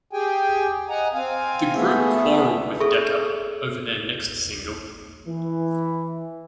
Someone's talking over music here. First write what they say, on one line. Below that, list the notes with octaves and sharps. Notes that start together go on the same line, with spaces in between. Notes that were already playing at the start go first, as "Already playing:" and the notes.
The group quarrelled with Decca over their next single.
G4 G#4 G5 G#5
D#5 F#5 G#5 A#5
C4 F5 G#5
A3 B3 G#4 E5
G#4 A4 E5 C#6
E3